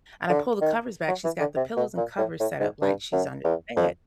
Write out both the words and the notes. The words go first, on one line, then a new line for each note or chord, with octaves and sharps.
And I pulled the covers back, she's got the pillows and covers set up like she's under the bed.
D3
D#3
F#3
E3
D3
C3
B2
A#2
A2
A2
G#2
G2
F#2
E2
F2